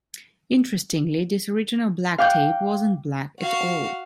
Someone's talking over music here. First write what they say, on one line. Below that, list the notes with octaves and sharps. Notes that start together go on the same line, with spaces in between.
Interestingly, this original black tape wasn't black at all.
F5 G5 D6 F#6 G6
F#4 F5